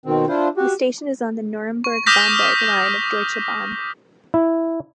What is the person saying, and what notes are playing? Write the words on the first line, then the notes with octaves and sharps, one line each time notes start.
The station is on the Nuremberg–Bamberg line of Deutsche Bahn.
B2 D#3 C4
D4 E4 F4 C5
F#4 G4
C#6
D6 D#6 F6 G6 A#6 B6
E4